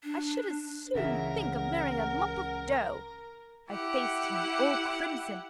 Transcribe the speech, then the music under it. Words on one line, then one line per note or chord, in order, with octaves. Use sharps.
I should as soon think of marrying a lump of dough.' I faced him all crimson.
D4
C#2 C#3 E3 A#4 E5 F#5
E4 G4 F#5